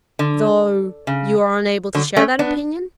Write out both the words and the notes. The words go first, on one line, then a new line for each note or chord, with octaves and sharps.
"Though you are unable to share that opinion?"
D3
C#3
D3 F#3
A3 C#4
B3 D4